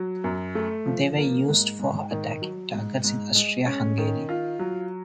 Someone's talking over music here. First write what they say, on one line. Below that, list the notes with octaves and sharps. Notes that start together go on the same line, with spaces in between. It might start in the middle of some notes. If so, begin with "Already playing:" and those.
They were used for attacking targets in Austria-Hungary.
Already playing: F#3
F#2
A3
F3
A#3
G#2
G#2
D#3
F#3
G#2
G#2
G#3
C#4
D#3
F4
F#3